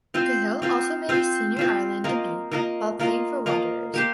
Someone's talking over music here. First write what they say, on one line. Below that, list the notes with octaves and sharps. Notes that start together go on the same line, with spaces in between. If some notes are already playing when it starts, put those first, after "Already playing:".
Cahill also made his senior Ireland debut while playing for Wanderers.
C4 F4 C5
C4 F4 C5
C4 F4 C5
C4 F4 C5
A#3 F4 A#4 D#5
A#3 F4 A#4 D#5
A#3 F4 A#4 D#5
A#3 F4 A#4 D#5
A#3 G4 C5